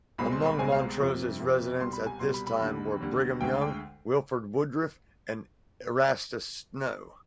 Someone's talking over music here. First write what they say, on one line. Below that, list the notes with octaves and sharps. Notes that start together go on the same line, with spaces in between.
Among Montrose's residents at this time were Brigham Young, Wilford Woodruff and Erastus Snow.
C2 B2 G#3 C4 B5
C6
B5
C2 B2 G#3 C4 G#5
F5
F2 C3 F3
F2 C3 F3
C2 B2 G3 C6
B5
G#5
C2 B2 G3 C6
B5
B5
D#2 D3 G3
D#2 D3 G3
D2 D3 G#3 G5
G5